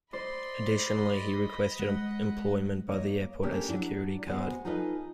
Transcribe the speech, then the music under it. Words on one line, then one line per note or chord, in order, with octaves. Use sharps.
Additionally, he requested employment by the airport as a security guard.
C5 D5 D#5 B5 C6
G#3 F#5
A#3 C#5 D#5
G#3 A#3 C#4 D4 G4 A4
F#3 D4 E4
G#3 B3 F#4 C5
D#4 F4 G#4 A4 B4 D#5